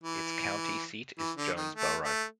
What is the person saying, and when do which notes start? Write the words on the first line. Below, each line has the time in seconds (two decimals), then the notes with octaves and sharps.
Its county seat is Jonesboro.
0.03 E3
1.18 E3
1.37 D3
1.56 D#3
1.75 A3
2.04 A3